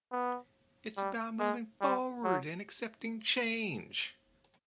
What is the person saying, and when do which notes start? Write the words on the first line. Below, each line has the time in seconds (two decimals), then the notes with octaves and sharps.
It’s about moving forward and accepting change.
0.12 B3
0.97 G3
1.40 G#3
1.81 G3
2.24 F#3